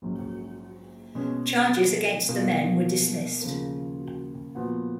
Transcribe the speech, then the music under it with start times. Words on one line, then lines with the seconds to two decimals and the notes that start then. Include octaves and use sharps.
Charges against the men were dismissed.
0.02 A#1 G#2 F#3 C#4
1.15 B2 G#3 C#4 G#4
2.28 B2 A#3 F4
3.41 D#2 C#3 F3 A#3
4.55 A#2 F3 B3 F#4